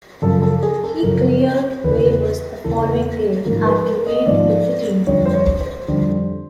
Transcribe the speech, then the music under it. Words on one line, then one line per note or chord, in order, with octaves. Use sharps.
He cleared waivers the following day and remained with the team.
F#2 C#3 F3 A4
A4
G#4
A4
F#2 C#3 F3 A#4
E2 C#3 E3 B4
E2 C#3 E3 A4
G#2 F3 A#4
B4
A#4
D#5
G#2 F3 D5
F2 D3 G3 C#5
C5
C#5
C5
F2 D3 G3